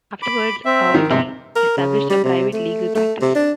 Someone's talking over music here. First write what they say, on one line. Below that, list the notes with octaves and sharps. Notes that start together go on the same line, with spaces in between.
Afterwards, Aoki established a private legal practice.
B5 D6
C4 E5
D#3
G2 C3 G#3
A#4
C#3
G3
C3
A3
A3
C3
D4